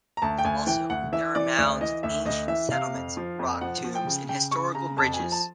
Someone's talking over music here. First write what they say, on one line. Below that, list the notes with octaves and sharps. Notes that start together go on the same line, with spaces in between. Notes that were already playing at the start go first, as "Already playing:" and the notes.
Also, there are mounds of ancient settlements, rock tombs and historical bridges.
A#5
D2 A5
G5
D2 G#5
E3 G5
D2 F#5
E3 E5
E3 D5
D2 D5
E3 D#5
D2 E5
D2 D#5
E3 E5
C3 F5
F2
F3
F2
F3 F#5
F3
G5
C#3
C#3 G5
C#3 C#6
C#3 A#5
F2 A5
G#5
F3
A5